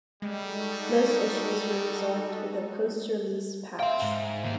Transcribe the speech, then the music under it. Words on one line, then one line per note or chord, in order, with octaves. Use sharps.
Most issues were resolved with a post-release patch.
G3 G#3 D#4 F#4 A4
E5 F5 G5 C6
G#2
G#2 D#3 A#3